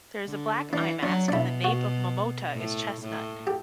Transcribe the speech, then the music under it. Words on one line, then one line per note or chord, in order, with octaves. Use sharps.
There is a black eyemask, and the nape of "momota" is chestnut.
D3
E3 D4
F#3 D4
D4
B2 E4
F#4
A2
A2
G4